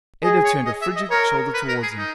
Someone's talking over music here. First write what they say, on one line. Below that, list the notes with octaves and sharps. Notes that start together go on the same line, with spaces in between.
Ada turned a frigid shoulder towards him.
G#4 D#5
C#5
D#5
E5
D#5
A#4 C#5
B4
A#4
G#4
D#4